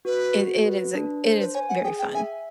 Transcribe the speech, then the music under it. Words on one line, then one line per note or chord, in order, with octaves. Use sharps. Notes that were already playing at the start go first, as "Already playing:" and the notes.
i it it is it is very fun.
F#4 B4
F#4
B4
D4
C5
B4
C#5 G#5
F#5
G#4 G5
G5
E5 G#5